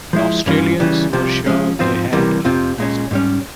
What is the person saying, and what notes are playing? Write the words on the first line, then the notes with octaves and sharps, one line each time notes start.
The Australians were sure they had a fast boat.
F3 G#3 E4
G2 E3 G3 C#4 F4
C#3 E3 G3
C2 C3 F3
F3 G#3 C#4
G#2 F3 C4 F4 C5
C#2 C3 E3 G3 A#3
F2 C3 F3 C4 F4
A#2 G#3 C#4
G#2 G3 C#4